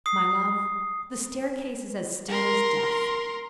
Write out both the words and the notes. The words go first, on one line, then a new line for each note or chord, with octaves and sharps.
"My love, the staircase is as still as Death."
D#6 C7
A#4 C6